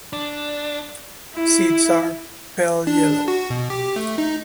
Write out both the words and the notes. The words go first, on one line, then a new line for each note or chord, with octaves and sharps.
Seeds are pale yellow.
D4
E4
D4
F#4
B2
G4
A3
D#4